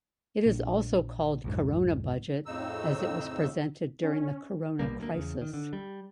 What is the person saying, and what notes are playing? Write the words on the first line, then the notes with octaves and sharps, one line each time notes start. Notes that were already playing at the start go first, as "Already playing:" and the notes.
It is also called Corona budget as it was presented during the Corona Crisis.
A#1
B1 F2 G#2
F2 A2 C#3 D#4 E6
C#4
A#1 B2 G3 A#3
D2 G#3 A#3
E2 C#3
D#3
D3
G3